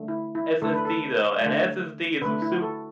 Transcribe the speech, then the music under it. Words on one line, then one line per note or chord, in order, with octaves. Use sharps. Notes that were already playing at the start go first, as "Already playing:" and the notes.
SSD, though, an SSD is a soup
Already playing: D3 A3
E4
E4
D3 A3 A4
B4
A4
D3 A3
D3 A3 B4
E4
F#4
A4